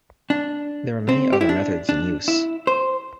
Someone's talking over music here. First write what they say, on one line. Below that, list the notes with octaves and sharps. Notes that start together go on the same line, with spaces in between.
There are many other methods in use.
D4
C4
G4
E4
D4
D4
E4
C5